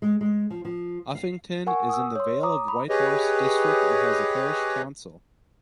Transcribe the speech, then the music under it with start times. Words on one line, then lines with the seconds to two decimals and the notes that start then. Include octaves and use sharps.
Uffington is in the Vale of White Horse District and has a parish council.
0.02 G#3
0.21 G#3
0.50 F3
0.65 F3
1.15 F5
1.67 A#4 F#5 G#5 C#6
1.89 D#6 E6
2.15 C#5 C6
2.43 A#5 D6 D#6
2.68 B5
2.89 G4 G#4 B4 C#5 D#5